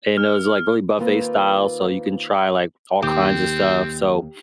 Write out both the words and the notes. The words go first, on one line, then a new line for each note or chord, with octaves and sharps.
and it was, like, really buffet style, so, you can try, like, all kinds of stuff. So,
F6
D#3 A#3 C4 F4 B4
D#2 C4 G4